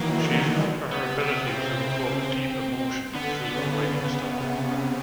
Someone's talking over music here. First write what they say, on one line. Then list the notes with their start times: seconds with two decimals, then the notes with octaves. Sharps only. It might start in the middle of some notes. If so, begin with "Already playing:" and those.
She is known for her ability to evoke deep emotion through her writing style.
Already playing: D#3 E3 F#3 A#3
0.22 D3
0.91 B3
1.05 C3
1.20 B3
1.47 C#3 C4
1.89 C#3
3.14 D3 B3
3.56 C#3
3.98 C#3
4.40 C3